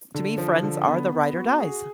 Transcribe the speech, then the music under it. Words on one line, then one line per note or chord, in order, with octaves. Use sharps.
to me, friends are the ride or dies.
D3
F3
D3
B3
B3
F#4
G#4